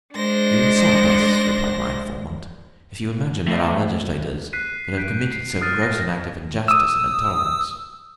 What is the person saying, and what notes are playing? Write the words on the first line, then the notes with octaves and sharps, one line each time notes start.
"You insult us," replied my informant, "if you imagine that our legislators could have committed so gross an act of injustice and intolerance."
G#3 D4 C5 A#6
A2
F#6 B6 C7 D#7
G6 B6 D7
C7
D#6 F6 A6 D#7
A#6
D#6 E6